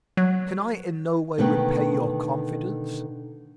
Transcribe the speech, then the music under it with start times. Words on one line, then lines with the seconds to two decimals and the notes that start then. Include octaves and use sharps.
Can I in no way repay your confidence?
0.17 F#3
1.38 B2 D3 D#3 A3 B4 G5